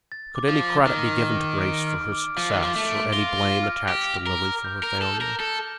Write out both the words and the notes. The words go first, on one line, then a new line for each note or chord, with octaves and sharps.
Could any credit be given to Grace for her success, or any blame attached to Lily for her failure?
A6
D6
F3
D6
D#3 F6
F6
D6
D7
F6
D6
F3 D6
D#3
F3 D6
A3
D7
F4 A#6
A#6
F6
G4 A#6
F7
A#4
F6
G6
A#4
F7
A4
G6
A#4
A4 G6